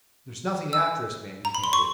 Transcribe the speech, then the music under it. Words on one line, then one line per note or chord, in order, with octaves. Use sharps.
"There's nothing after us, men," he panted.
E6
A#5
B5
C6
C#6